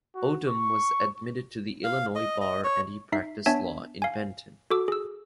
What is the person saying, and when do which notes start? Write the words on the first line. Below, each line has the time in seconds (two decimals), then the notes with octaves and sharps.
Odum was admitted to the Illinois bar and he practiced law in Benton.
0.15 F#4
0.48 C#6
1.84 F5
2.15 D#5
2.41 D#5
2.64 C#5
3.12 D#4 E5 C7
3.46 B3 D4 C#5 E5 G#5 A5
4.02 F5 G#5
4.70 F#4 A4 D6 E6
4.88 G#4 E6